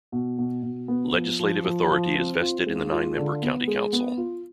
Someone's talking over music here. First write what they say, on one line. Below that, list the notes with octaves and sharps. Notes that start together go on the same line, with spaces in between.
Legislative authority is vested in the nine-member county council.
B2
B2
B2
B3
F3
F3
F3
F3
C4
F4
G#3
F4
D3
B3
G#3
B3
F4